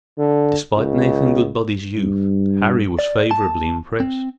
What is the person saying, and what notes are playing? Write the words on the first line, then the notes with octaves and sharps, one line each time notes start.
Despite Nathan Goodbody's youth Harry was favorably impressed.
D3
C#2
G2
D5
A5
C4